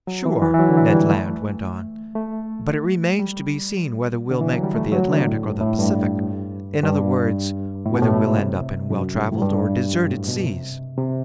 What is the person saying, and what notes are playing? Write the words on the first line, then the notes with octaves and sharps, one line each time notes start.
"Sure," Ned Land went on, "but it remains to be seen whether we'll make for the Atlantic or the Pacific, in other words, whether we'll end up in well-traveled or deserted seas."
F#3
E3
E3
E3
F#3
D3
E3
G3
A3
A3
G3
D3
E3
F#3
G3
A3
F#3
D3
A2
G2
A2
G2
G2
A2
B2
A2
C3
F#2
G2
A2
G2
F#2
A2
B2
C3
C3